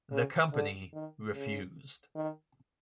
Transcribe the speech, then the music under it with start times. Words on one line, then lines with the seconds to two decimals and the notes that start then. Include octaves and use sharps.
The company refused.
0.11 C#3
0.53 D3
0.93 D#3
1.34 C#3
2.16 D#3